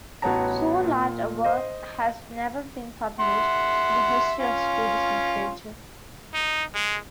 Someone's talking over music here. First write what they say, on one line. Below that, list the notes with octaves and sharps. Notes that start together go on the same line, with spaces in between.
So large a work has never been published in the history of Swedish literature.
A1 B3 F#4 C#5 A5 A#5
A#2
C5 D#5
E5 F#5 C6
C#4 F4
D#4
G#3